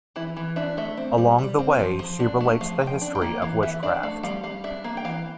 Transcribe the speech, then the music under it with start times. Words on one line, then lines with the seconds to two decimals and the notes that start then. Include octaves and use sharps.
Along the way, she relates the history of witchcraft.
0.16 E3 E4
0.37 E3
0.56 D4 E5
0.77 A3 E5
0.97 C4
1.18 G3
1.39 G3
1.59 C4
1.79 F3
1.99 F3
2.20 D4
2.41 A3
2.61 F3 F5
2.81 F3
2.87 G5
3.01 D4
3.15 G5
3.21 A#3
3.42 E3 F5
3.63 E3 E5
3.83 D4 D5
4.03 A3 F5
4.23 G3 F5
4.43 G3 F5
4.64 D4 E5
4.84 A#3 F5
4.97 G5
5.04 E3 F5